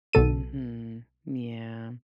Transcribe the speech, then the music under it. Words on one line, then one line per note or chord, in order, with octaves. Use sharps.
Mhm. Yeah.
B1 B2 A4 D#7